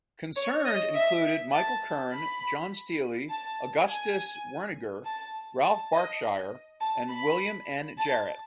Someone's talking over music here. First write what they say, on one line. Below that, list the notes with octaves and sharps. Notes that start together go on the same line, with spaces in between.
Concerned included Michael Kern, John Steally, Augustus Werninger, Ralph Barkshire, and William N. Jarrett.
C#5
D#5
E5
A5
B5
A5
G#5
A5
A5
D#5
A5
B5
A5